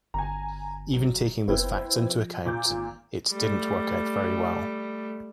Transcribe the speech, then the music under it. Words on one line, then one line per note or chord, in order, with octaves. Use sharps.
Even taking those facts into account, it didn't work out very well.
G1 G#5 A#5
F#3
F#1 B3 C4 E4
F3
A#2 D6 G6
G#1
G3 A3